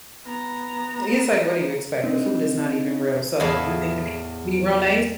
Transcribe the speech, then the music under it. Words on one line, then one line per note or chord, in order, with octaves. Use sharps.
It's, like, "What do you expect? The food is not even real, so you think the people be real nice. No."
B3 A#5
C4 D4 D#4
E2 A2 E4 G#4 A4 F5